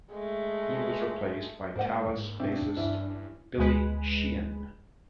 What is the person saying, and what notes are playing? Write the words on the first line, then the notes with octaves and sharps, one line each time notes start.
He was replaced by Talas bassist, Billy Sheehan.
G#3 A3
G#2 A#3 C5 F#5
B2 C4 D4 E4 F5
G2 E3 C#4 E4
D2 G#3 B4